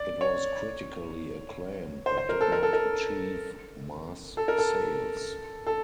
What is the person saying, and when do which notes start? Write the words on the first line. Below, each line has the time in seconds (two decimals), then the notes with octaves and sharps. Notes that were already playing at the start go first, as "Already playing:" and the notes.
It was critically acclaimed, but did not achieve mass sales.
Already playing: D5
0.21 C#5
2.06 C5
2.18 C5
2.29 A#4
2.41 A4
2.52 A#4
2.63 A4
2.73 A#4
4.37 A4
4.48 A#4
4.58 A4
5.67 A4